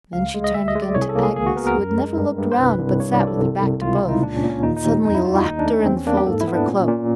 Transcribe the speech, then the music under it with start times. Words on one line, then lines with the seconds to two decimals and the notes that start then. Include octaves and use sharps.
Then she turned again to Agnes, who had never looked round but sat with her back to both, and suddenly lapped her in the folds of her cloak.
0.13 C#2 F5
0.34 G#3
0.44 D#5
0.54 D2 E5
0.68 D#5
0.75 G#3
0.82 D5
0.95 C2 C#5
1.02 G#4
1.09 A4
1.15 A#3
1.23 G#4
1.36 C#2 G#4
1.46 F#4
1.56 B3 A#4
1.67 A#4
1.77 F#2
1.98 G#3
2.17 G2
2.38 G2
2.52 C5
2.58 C2 B4
2.80 C2
3.00 G2 C#5
3.13 D5
3.20 G2
3.27 A4
3.40 C2
3.61 C2
3.81 C#2 F4
3.96 E4
4.02 C#2
4.09 D#4
4.22 A#2 D4
4.36 C#4
4.43 A#2
4.49 C#4
4.63 D#2 D#4
4.77 D#4
4.84 D#2
5.04 F2 D#4
5.15 E4
5.24 G3 F4
5.35 F#4
5.45 D#2 D#4
5.59 D4
5.65 A3
5.73 C#4
5.86 E2 C4
5.97 C#4
6.07 A#3 D4
6.17 G4
6.27 G#2 A4
6.41 E4
6.47 B3
6.54 D4
6.68 A#2 C#4
6.88 A#2